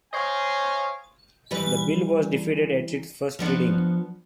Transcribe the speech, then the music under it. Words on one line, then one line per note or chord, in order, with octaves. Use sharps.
The bill was defeated at its first reading.
C5 C#5 D#5 F5 G5 G#5
E3 G3 B4
F3 B3 D4